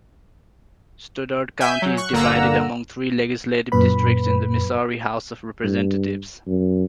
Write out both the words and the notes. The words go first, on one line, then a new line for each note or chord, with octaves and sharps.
Stoddard County is divided among three legislative districts in the Missouri House of Representatives.
E5 G#5 G6
F#3
C#6 F#6
G1 D3 A#3 F#5 A#5 E6
F#2 A#2 B4 B5
G2
F#2